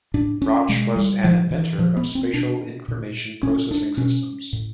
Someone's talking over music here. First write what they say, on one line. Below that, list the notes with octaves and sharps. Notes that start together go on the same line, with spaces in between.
Rauch was an inventor of spatial information processing systems.
A2 D4
C#4
B2 G#3
G3
A#2 F3
E3
A#2 F3
B3
C4
B2 D4
A#2
A#2 C#4
D4
B2 C#4
A2